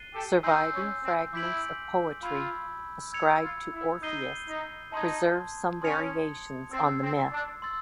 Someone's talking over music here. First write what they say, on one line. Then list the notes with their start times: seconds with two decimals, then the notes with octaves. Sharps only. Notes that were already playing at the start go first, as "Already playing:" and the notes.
Surviving fragments of poetry ascribed to Orpheus preserve some variations on the myth.
Already playing: F#6 A6 C7 D#7 G7
0.13 G4 A4
0.43 D#4 G#5 C6 E6 G6 C7
0.74 C#4
1.04 C4
1.33 E4 D6 G6 B6 D7 F#7
2.23 F4 B5 E6 G#6
3.13 E6 G#6 C#7 F7
3.43 F4
3.73 E4
4.02 D#4 D#6 G6 C7 D#7 G7
4.48 D#4
4.92 D#4 A5 C6 D#6 G#6
5.82 C#4 C6 D#6 G#6 C#7 F7
6.71 C4 E6 A6 C7
7.02 C4
7.32 D4
7.62 C6 E6 A6